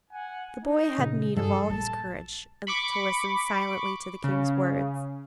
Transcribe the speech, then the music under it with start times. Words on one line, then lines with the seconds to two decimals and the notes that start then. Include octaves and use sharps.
The boy had need of all his courage to listen silently to the king's words.
0.11 F#5 G#5
0.65 D#4
0.98 A#2 C#3
1.36 G2 F3 G3 G#4 A4
1.70 A#1 A5
2.67 B5 C#6 D6
4.24 C#3